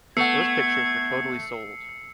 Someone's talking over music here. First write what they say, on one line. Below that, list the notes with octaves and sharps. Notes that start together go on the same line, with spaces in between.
Those pictures were totally sold.
A3 B3 F#5 E6 G#6 C7 C#7